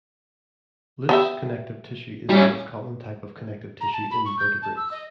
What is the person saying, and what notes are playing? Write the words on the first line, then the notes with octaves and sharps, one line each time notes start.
Loose connective tissue is the most common type of connective tissue in vertebrates.
B3 G4 E5
G3 C#4
A#5
A5
B5
C#6
G6
A5
E6
D#5